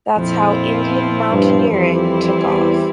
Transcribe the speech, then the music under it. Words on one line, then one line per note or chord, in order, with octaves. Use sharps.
That’s how Indian mountaineering took off.
F2 A#2 F3 C4 E4
G2
F2 E3 G3 C4 E4
E2